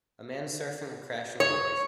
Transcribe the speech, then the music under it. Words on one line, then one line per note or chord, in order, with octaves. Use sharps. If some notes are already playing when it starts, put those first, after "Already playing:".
A man surfing a crashing wave.
C#5